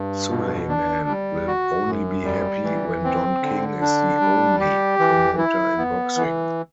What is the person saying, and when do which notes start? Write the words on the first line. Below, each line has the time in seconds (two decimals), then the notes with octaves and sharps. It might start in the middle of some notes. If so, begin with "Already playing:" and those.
Sulaiman will only be happy when Don King is the "only" promoter in boxing.
Already playing: G2
0.30 B2
0.69 D4
1.08 G3
1.47 F#4
1.86 F#2
2.25 G3
2.64 E3
3.04 C4
3.43 D3
3.81 D4
4.20 G3
4.60 G4
4.99 E3
5.38 E4
5.78 B3
6.17 E3